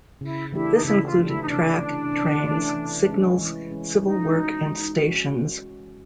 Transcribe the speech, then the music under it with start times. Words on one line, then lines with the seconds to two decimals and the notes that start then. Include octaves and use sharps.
This included track, trains, signals, civil work and stations.
0.21 C#3 E4
0.52 E3 A3 D4 E4 G4
0.76 D#4
0.84 C#3 E4
1.05 F4
1.17 E3 A3 D4 G4
1.27 E4
1.42 D#4
1.48 C3 D4
1.80 E3 A3 C#4
2.11 C3
2.44 E3 A3 C#4
2.75 E3
3.07 G#3 C#4
3.39 E3
3.70 G#3 C#4
4.03 G#3 D#4
4.35 C#4 F#4
4.66 G#3
4.98 C#4 F#4